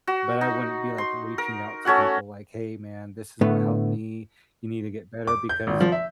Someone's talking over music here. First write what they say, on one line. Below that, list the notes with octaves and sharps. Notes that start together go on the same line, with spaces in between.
but I wouldn't be, like, reaching out to people like, "Hey man, this is what helped me. You need to get better," because
F#4
D#4
C6
A#4
A3 C#4 F#4 F#5
A2 D3 A3 B3
D6
G6
G#1
F3
E5